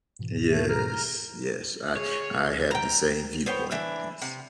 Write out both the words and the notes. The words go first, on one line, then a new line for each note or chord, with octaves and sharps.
Yes, yes, I I have the same viewpoint. Yes.
G#2 B2 E3
A3
A#5 F6
G#4 C#5
G5 A#5
B3 C5 C#5 G5
E3 D4 E5
C3